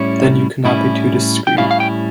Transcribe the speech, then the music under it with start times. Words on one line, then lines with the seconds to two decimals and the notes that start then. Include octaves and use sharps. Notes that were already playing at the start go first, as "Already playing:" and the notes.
Then you cannot be too discreet.
Already playing: A2 G3 C#4 E4 C#5
0.65 A2 G3 C#4 E4
1.47 G5
1.57 A2 G3 C#4 E4 F5
1.71 F5
1.80 G5